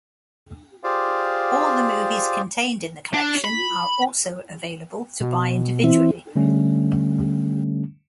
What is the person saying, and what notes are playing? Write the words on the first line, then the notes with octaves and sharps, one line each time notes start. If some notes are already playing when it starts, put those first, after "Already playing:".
All the movies contained in the collection are also available to buy individually.
F4 G4 G#4 C5 D5 F5
D4
B5
B2
E3 C4 E4
D3 G3 A3 C#4